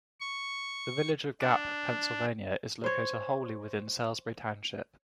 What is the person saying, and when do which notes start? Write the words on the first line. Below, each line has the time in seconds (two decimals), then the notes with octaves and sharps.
The village of Gap, Pennsylvania is located wholly within Salisbury Township.
0.20 C#6
1.41 D4
2.84 C5 C#5